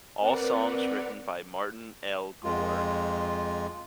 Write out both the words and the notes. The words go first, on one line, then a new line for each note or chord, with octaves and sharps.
All songs written by Martin L. Gore.
C4 A#4 B4 D5 F#5
F2 G#3 F4